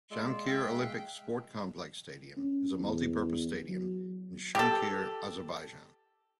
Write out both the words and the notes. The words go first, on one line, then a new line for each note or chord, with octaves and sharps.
Shamkir Olympic Sport Complex Stadium is a multi-purpose stadium in Shamkir, Azerbaijan.
G#3 F4 D5 E6
E5 F5 G5 F#6
C#4
E2
F#3
G4 A4